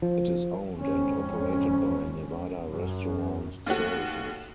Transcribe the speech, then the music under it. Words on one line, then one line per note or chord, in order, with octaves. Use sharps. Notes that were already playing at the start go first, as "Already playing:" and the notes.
It is owned and operated by Nevada Restaurant Services.
F3
F2 G#2 D3 C#4
F#2
D#2 A3 F#4